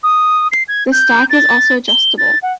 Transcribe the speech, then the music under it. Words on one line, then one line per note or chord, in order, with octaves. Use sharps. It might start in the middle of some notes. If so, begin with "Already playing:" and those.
The stock is also adjustable.
D#6
C7
G#6
G6
A6
G7
A6
F#5